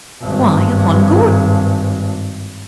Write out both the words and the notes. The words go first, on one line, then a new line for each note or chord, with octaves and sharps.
"Why upon Gordon?"
G#1 G2